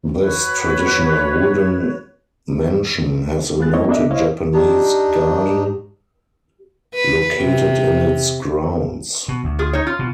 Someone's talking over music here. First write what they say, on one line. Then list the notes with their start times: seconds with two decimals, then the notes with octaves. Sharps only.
This traditional wooden mansion has a noted Japanese garden located in its grounds.
0.19 F#4 B4 C#5
3.59 G#3 B3 F4 G#4 F#6 A6
3.74 G#3 A3 C4 E4 C#5 D#5
3.89 A#3 B3 D4 A4 D#5 E5
4.11 E4 C5 C#5 D#5 F5
4.53 D4 D#4 G4
6.94 B4
7.40 C3
9.28 B2
9.44 D2
9.59 F4 G#4
9.73 D#4 C#5
9.87 F4
9.99 B2